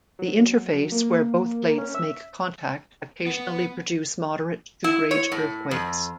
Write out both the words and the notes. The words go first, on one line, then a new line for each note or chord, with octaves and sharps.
The interface where both plates make contact occasionally produce moderate to great earthquakes.
F#3
A#3
C#4
E5
B3
E4
C#5
A2
F2